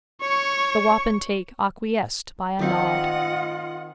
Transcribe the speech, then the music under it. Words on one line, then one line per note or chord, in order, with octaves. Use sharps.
The wapentake acquiesced by a nod.
C#5 C#6
D#3 C4 F4 D5 D#5 F#5